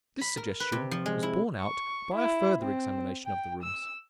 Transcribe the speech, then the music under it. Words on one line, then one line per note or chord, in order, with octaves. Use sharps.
This suggestion was borne out by a further examination of the rooms.
B5
A#4
B4
C3
F3
G#3
E4
C#6
E4
C4
G5
E6